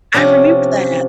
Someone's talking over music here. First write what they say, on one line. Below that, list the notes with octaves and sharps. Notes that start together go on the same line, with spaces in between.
I remember that.
C3 F3 C#4 D4